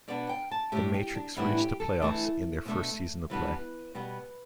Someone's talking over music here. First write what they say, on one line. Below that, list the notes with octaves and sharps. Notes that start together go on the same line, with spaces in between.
The Matrix reached the playoffs in their first season of play.
B2 B3 D4 D5
G5
A5
A2 A3 D4 G4
G4
D4
A2 E3 G3 B3 D4 E4
G4
A4
E3 A3 D4
B2 A3 D4
E3 G3 B3 D4 B4
B2 G3 B3